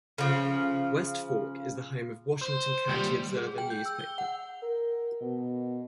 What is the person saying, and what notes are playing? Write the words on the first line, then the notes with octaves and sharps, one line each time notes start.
West Fork is the home of the "Washington County Observer" newspaper.
C#3 F3
C5
D#2 G3
G#4
G5
G6
E6
G7
F#5
A#4
B2